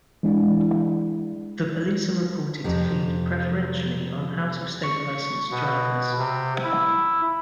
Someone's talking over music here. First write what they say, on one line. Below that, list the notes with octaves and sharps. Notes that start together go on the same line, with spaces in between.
The police are reported to feed preferentially on out-of-state licensed drivers.
E3 G#3 D4 E4
F2 C3
C#6
B2
C3
E4